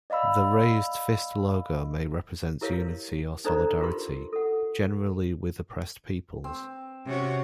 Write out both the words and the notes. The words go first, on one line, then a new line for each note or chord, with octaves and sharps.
The raised fist logo may represent unity or solidarity, generally with oppressed peoples.
D5 D#5 F5 B5 E6
E4 G4 A#4 C#5 F5
D4 D#4 A4 C5 D5 A#5
F4 G4 A#4 C6 C#6
A4 F#5
C4
C3 C#4 F#4